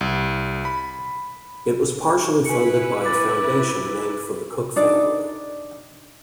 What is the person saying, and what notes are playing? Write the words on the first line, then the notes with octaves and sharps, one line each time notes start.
It was partially funded by a foundation named for the Cooke Family.
C2
B5
E4 B4 G#5 C#7
D6 A6
D4 D#4 D5